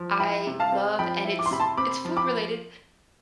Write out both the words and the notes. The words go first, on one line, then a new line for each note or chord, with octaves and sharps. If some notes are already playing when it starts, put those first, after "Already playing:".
I love, and it's it's food related,
Already playing: F3
E4 G5 B5
C3
F5 A5
C4
F3 G5 B5
E4
D6
C6
C3 B5
A5 C6
C4 B5 D6
F3
B5 D6